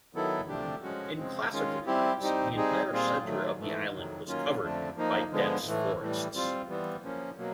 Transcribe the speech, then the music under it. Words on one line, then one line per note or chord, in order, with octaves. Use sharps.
In classical times the entire center of the island was covered by dense forests.
D#3 F#3 B3 E4 A4
C3 F3 A3 D4 G4
F3 G#3 C#4 F#4
C#3 F3 G#3 C4
D#3 G#3 C#4 F4
G3 C4 E4 G4
G3 C4 D#4 G4
G3 C4 D#4 G#4
A#2 G3 C4 F4 G#4
D#3 F#3 A3
G#2 E3 A3
F2 C3 D#3 F#3
D#3 F#3 A#3 C#4 F4
F2 D3 F3 A3 D4
F3 A#3 D#4
D3 F3 G#3 B3
A2 E3 A3
A2 E3 G3
G3 C4 F4
E3 G3 B3
F3 A#3 C#4
B2 F#3 A#3